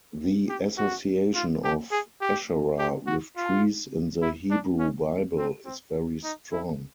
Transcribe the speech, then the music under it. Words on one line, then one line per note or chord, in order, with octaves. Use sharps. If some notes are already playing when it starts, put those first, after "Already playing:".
The association of Asherah with trees in the Hebrew Bible is very strong.
G4
F#4
F4
G4
G#4
G4
G4
F#4
F4
E4
D4
C#4
C4
C4
D#4
E4